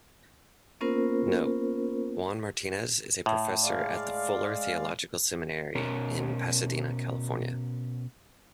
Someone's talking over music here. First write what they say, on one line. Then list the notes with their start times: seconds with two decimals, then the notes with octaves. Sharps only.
Note: Juan Martinez is a professor at the Fuller Theological Seminary in Pasadena, California.
0.81 A#3 B3 C#4 F4 A#4 C5
3.26 A2
3.62 G#3 D5 F5
5.75 B2 C#4 A#4